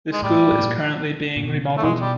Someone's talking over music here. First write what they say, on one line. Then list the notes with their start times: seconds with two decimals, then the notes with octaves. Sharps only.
The school is currently being remodeled.
0.13 G#3
0.22 A2 G3
0.52 A2
0.63 A#2
1.37 A#2
1.44 B2
1.77 A3
1.84 B2 G#3
2.01 G3